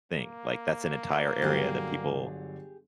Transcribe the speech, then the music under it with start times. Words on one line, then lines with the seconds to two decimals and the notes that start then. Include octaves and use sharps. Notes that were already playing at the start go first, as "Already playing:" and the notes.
thing, like, that's an entire area that people
0.12 A#3
1.42 G1 D3 F#3 G4 G#4